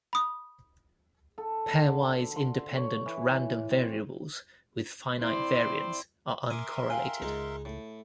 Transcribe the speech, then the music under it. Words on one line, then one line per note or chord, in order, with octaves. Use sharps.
Pairwise independent random variables with finite variance are uncorrelated.
B5 D#6
A4
D3
C6
C#5
E3
C4
C4 E4 C5 D5
A#4 E5 G#5 C6 D6 D#6
F5 G5 G#5
C#2 G#3 D#4
A2